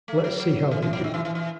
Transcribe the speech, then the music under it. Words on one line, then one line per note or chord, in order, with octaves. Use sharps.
Let's see how they do.
A3
F#3
F#3
E3
E3
F#3
D#3
E3
E3
E3